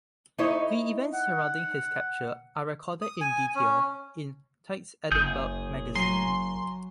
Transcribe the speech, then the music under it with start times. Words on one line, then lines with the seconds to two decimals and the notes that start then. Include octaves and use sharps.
The events surrounding his capture are recorded in detail in "Tait's Edinburgh Magazine".
0.39 D#4 E4 C#5
1.13 F#5
3.02 D#6
3.21 G#5
3.55 C#4
5.12 F#1 G#4 G6
5.95 F#3 G#5 A#5 C6 C7